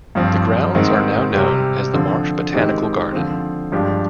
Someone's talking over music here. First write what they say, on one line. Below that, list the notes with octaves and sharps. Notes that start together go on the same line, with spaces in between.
The grounds are now known as the Marsh Botanical Garden.
G2 F3 C4
G#2 D#3 G#3 C4
C3 G3 C4 G4
D3 F3 C4
D#3 G#3 C4 D#4 G4
D3 F3 C4
G2 F3 G#3 D4 G4